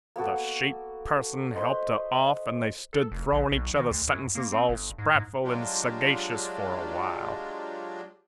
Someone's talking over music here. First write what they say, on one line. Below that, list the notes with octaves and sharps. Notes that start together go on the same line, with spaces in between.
The sheep person helped her off; and they stood throwing each other sentences all sprightful and sagacious for a while.
A#3 B3 F#4 A4
B4 C5 D#5
A4
F1
A#1
B1
D#3
D2
F#2
A#3
C4
G1
G#2
G#2
F#3 G#3 D4 F4 G4